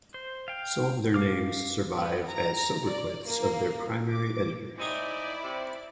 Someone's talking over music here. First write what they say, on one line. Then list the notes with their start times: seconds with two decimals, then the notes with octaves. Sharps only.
Some of their names survive as sobriquets of their primary editors.
0.14 C5
0.48 F5 G5
1.14 F5 D6 F6
1.93 B3
2.28 A#5
2.86 D5
3.25 A#3
4.09 D6
4.78 G#3 C4 D#4 E4 D5
5.43 C3